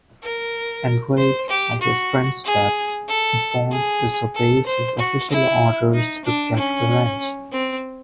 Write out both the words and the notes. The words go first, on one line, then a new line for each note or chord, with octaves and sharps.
Enraged by his friend's death, Bond disobeys his official orders to get revenge.
A#4
C5
G4
F#4
G#4
A4
G#4
A4
C5
F#4
E4
D#4
D4
C#4
C4